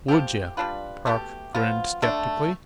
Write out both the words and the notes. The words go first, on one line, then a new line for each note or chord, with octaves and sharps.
"Would yuh?" Park grinned skeptically.
F3 A3 C4 G4
G3 D4 F4 B4
B2 A3 E4 G4
F3 B3 F4
D3 A3 D4